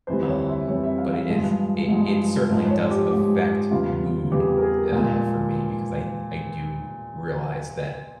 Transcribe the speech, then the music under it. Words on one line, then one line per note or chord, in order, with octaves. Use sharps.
Um, but it is it it certainly does affect mood, uh, for me because I I do realize that,
F2 E3 G3 C5
C#5
E5
F2 E3 G3 C#5
E5
F5
F5
G2 F3 G#3
G2 F3 G#3
G#2 F3 G#3
C5
C#5
G4
G#2 F3 G#3 G4
E2 C#3 G3 F4
E2 C#3 G3 G4
G#4
G4
A#4
G#4
G#4
A#2 F3 G#3 A#4